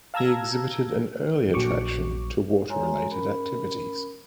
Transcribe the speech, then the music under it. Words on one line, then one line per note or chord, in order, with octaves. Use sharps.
He exhibited an early attraction to water-related activities.
F5 A5 A#5 E6 G#6 A#6
A#1 F#3 C#6 D6
G#3 F#4 C#5 G#5 A#5 C6
C#4 A#4 B5